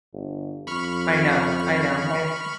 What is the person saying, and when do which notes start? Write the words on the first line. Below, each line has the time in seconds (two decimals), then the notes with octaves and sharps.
I know, I know, my f
0.13 G1
0.67 F2 B5 C#6 F6